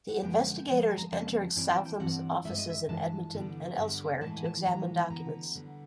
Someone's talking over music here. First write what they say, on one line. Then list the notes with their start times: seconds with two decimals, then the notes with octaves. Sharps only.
The investigators entered Southam's offices in Edmonton and elsewhere to examine documents.
0.09 F#5
0.22 F#2 D3 F3 G#3 B3 G5
0.58 G5
0.67 F2 C#3 F3 G#3 G#5
0.82 A5
0.97 A#5
1.12 F2 C#3 F3 G#3 A5
1.56 G2 E3 G3 C4 G#5
1.70 A5
1.85 G5
2.00 G2 E3 G3 C4 F#5
2.45 E3 G#3 E5
2.48 G2
2.58 D#5
2.70 E5
2.89 G2 E3 G#3 A5
3.34 G2 D3 G3 B3
3.78 G2 D3 G3 B3
4.21 A2 E3 G#3 B3 A5
4.37 G#5
4.44 A5
4.66 A2 E3 G#3 B3 A#5
5.10 D3 G3 B3 A#5
5.55 D3 G3 B3